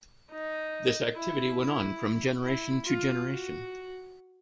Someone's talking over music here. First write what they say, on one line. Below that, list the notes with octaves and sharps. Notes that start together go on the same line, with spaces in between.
This activity went on from generation to generation.
D#4
E4
E4
E4
F4
F#4